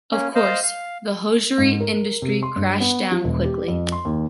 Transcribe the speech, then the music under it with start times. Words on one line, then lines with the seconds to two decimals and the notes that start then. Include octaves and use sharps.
Of course, the hosiery industry crashed down quickly.
0.12 A#3 C#4
0.35 C5 D#5 F5
0.63 F5
1.58 G#2
1.80 A#4
2.22 C3
2.43 C6
2.56 G2
2.80 B3
3.12 F3
3.24 E1
3.43 G4
3.68 F2
3.92 C6
4.05 D#2